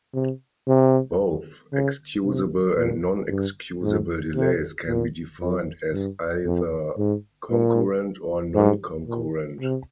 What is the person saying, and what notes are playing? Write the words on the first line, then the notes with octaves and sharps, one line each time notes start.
Both excusable and non-excusable delays can be defined as either concurrent or non-concurrent.
C3
C3
C#3
C3
A#2
G2
G#2
C3
A#2
F2
G2
F2
G#2
A#2
G#2
A#2
C3